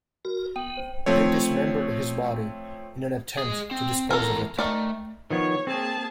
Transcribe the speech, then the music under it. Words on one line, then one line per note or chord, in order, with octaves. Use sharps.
They dismembered his body in an attempt to dispose of it.
F#4 A#4
B3 G5 D#6
C5
F3 A3 C4 C#5
G#4 D#5
C4
E2 A4 A#4 A#5
D#3 A3 A#4 D5
D#3 F3 B3 C#5
A#3 C4 G#4 A5